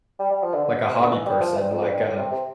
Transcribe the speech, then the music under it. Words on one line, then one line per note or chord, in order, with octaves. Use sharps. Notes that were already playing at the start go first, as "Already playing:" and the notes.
like, a hobby person, like, uh,
G3
G3
F3
D3
D3
B2
C3
D3
E3
G3
F3
G2
F2
F2
G2
A2
C3
C3